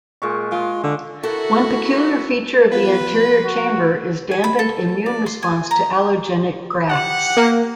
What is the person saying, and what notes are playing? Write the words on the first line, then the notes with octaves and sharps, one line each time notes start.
One peculiar feature of the anterior chamber is dampened immune response to allogenic grafts.
A#2 G#3 C#6
G#3 F4
D3
E4 F#4 A4 A#4
F3 B3 F4 B4
F#4
G#5
B5
A4
D5
C6
G#5
A#5
G4 F#5
A#3